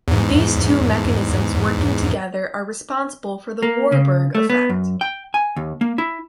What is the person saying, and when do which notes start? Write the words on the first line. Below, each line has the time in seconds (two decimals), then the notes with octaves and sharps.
These two mechanisms working together are responsible for the Warburg effect.
0.08 E2 G#2
3.62 A#3
3.92 C#3
4.35 A3
4.50 B3
4.69 F#2
5.01 G5
5.34 G#5
5.57 D#2
5.81 A#3
5.98 E4